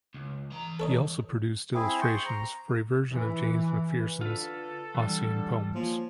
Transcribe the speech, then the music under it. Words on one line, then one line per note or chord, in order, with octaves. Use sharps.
He also produced illustrations for a version of James Macpherson's Ossian poems.
C#2
E3 A#5
A4 C#5 D#5
C4 E4 G#4
C5 G5 C6 C#6
A#5
E3
D3 F4 A4 B4
D3 E3 G3
F3 A#3 C#5 G#5